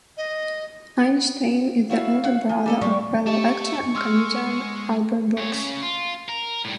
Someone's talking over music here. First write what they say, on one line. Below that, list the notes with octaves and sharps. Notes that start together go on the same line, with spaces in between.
Einstein is the older brother of fellow actor and comedian Albert Brooks.
D#5
E4 F#4 C#5 F5
C#5 F#5
F3 G#5
G3 A4 D#5
F3 G3 G#3 C#6
A3 G4 D#5 E5 A5 C#6
G#3 C6 E6 F6
A#2 C#5
C#3
F4
A#4
A2 G3